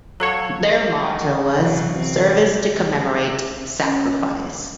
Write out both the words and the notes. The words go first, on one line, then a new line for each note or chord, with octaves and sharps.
Their motto was "Service to Commemorate Sacrifice".
F#3 A4 C#5 F5 A5
D#3 F#4
C3 E3 F#3
C4
C#4